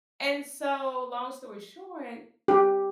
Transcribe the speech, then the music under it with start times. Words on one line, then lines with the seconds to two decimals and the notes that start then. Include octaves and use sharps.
And so, long story short,
2.48 G4